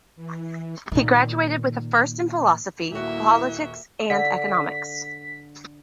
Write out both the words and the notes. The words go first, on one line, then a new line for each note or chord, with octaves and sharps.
He graduated with a First in Philosophy, Politics and Economics.
E3
A#2 D#3
D#1 A#3 E4 F#4 E5
D3 B6